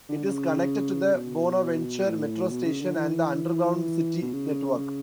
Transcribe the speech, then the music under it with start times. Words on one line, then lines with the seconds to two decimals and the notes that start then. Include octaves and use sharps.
It is connected to the Bonaventure metro station and the underground city network.
0.09 D3
0.24 C#3
1.15 B2
2.06 A2
2.50 B2
2.65 C#3
2.81 D3
2.96 E3
4.22 B2
4.33 C#3
4.78 C#3